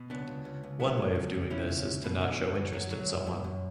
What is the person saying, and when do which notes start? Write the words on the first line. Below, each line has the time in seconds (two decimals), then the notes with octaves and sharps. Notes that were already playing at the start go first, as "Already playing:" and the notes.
One way of doing this is to not show interest in someone.
Already playing: B2
0.10 C#2 B3 D4
0.27 C#2
0.45 C#2
0.63 C#2
0.80 F#3 B3 D4
0.97 F#3
1.15 C#2
1.33 C#2
1.50 B2 C#4 E4
1.69 C#2
1.86 C#2
2.04 B2
2.21 D3
2.38 F#2
2.55 F#2
2.73 F#3
2.91 F#3
3.09 F#2
3.27 F#2
3.44 F#2